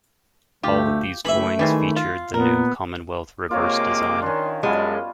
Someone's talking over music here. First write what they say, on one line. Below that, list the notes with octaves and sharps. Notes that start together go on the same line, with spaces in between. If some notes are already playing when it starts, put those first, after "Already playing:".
All of these coins featured the new Commonwealth reverse design.
D2 A3 F4 G4
F#1 E3 A3 E5 B5
D#3 E3 G3 G#3
F4
A#2 B3 A#4
C3 G#3 A#3 F4 C#5 D6
D#3 C#4 D4 C6
F#2 G3 G#3 B3 F4 A5